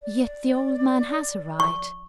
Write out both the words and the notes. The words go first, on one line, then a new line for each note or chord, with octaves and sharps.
Yet the old man has a right.
D5
C#6